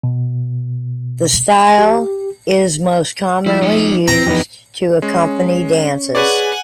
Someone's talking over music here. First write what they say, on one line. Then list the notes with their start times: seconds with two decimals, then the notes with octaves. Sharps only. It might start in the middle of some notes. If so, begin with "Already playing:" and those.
The style is the most commonly used to accompany dances.
0.03 B2
1.78 G4
3.46 F3 G#3 E4
3.62 D#4 C#5
4.08 C4 A#5
4.26 F2 E3 B3 D#4 G4
5.02 G#3 C#4
6.15 G#4 B4 C#5 D5 F#5 G#5